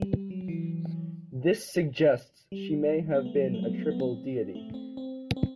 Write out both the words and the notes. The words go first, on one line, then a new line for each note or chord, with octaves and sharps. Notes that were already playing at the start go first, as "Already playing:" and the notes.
This suggests she may have been a triple deity.
Already playing: G3
F#3
E3
G3
B3
A3
F#3
G3
A3
B3
A3
B3
C4
A3
C4
C4
C4